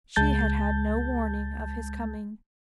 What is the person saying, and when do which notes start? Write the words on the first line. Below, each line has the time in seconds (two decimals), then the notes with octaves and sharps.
She had had no warning of his coming.
0.16 C#2 G#3 A5 G6 A6